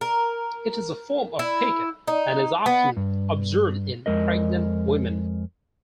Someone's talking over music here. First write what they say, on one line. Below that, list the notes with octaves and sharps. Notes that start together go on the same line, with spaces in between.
It is a form of pica and is often observed in pregnant women.
A#4
E4
D#4
B3
G2
F2 G#3 A#4 D#5